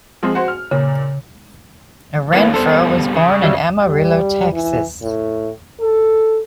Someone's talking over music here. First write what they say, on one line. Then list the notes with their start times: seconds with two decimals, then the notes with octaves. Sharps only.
Renfroe was born in Amarillo, Texas.
0.23 F3 G#3 C4
0.35 F#4 C5
0.48 F6
0.71 A#2 C#3
2.34 D#3 A#3 B3 C#4 E4
2.54 B2 G3 A4 C5
3.15 C#3
3.42 F#3 G3 E5
3.83 G3
4.53 E3
5.02 A2
5.80 A4